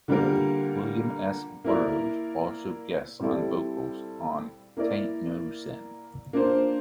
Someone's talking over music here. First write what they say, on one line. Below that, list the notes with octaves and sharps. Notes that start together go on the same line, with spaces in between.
William S. Burroughs also guests on vocals on "'Tain't No Sin".
D3 G3 A#3 F4 A#4
A#3 E4 A#4 D5
G3 C4 E4 A4 D5
A#3 E4 A#4 D5
A#3 D4 F4 C5